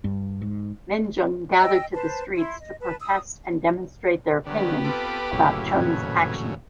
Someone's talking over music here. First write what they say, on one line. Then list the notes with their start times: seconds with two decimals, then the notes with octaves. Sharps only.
Minjung gathered to the streets to protest and demonstrate their opinions about Chun's action.
0.04 G2
0.42 G#2
1.60 D#5 G5 E6
1.94 B4 C5 A5
2.35 E4 C6
2.59 D#5
2.82 B4 A5
3.00 D#6 E6
4.46 D3 D#3 F#3 B3 G4
4.84 C4 F4 A4 B4 D6
5.32 D1 F#2 A2 C#3 A#3 E4
5.80 F2 A#2 D#3 F3 B4 G#6